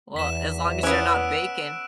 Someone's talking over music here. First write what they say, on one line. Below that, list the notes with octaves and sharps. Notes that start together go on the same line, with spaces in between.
Well, as long as you're not baking.
E2 B6 E7
B3 C#4 E6 F#6 D7